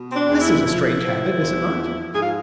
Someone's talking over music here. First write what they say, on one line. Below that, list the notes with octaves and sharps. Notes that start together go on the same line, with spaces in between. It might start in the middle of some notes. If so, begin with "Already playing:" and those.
This is a strange habit, is it not?
Already playing: B2
C4
D4
E2
E4
F3 E4
F3
E2
F3
G#2 G#4
F4